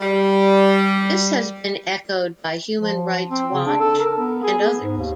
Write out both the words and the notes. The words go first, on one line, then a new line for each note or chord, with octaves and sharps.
This has been echoed by Human Rights Watch and others.
G3
F3
C4
C#3
D4
A4
A#4
B3
G#4
B3
G#2
D#2